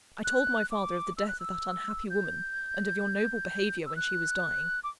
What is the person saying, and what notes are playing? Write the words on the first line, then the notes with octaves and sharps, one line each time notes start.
I told my father of the death of that unhappy woman, and of your noble behaviour when she was dying.
F#6
D6
E6
F#6
E6
G6
E6
F#6
D6